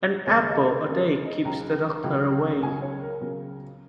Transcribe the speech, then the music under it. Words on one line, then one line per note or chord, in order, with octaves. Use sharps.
An apple a day keeps the doctor away.
D#2 C#3 G#3 C#4 C#5
D#5
A#4
D#2 C#3 G#3 C#4 A#4
C#5
D#5
C#2 C#3 F#3 A#5
C#2 C#3 F#3
C#2 C#3 F#3 G#5
C#5
A#4
C#2 C#3 F#3 A#4